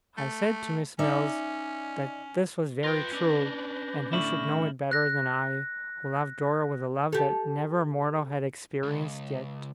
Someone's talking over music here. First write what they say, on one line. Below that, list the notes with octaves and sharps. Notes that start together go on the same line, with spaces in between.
I said to Miss Mills that this was very true, and who should know it better than I, who loved Dora with a love that never mortal had experienced yet?
A3
C#4 D#4 D5 E5
F4 B4 G5 G6 A#6
C#4 D4
A2 D3 E4 C#6 F6 F#7
F#6 A#6
G4 A4
C#2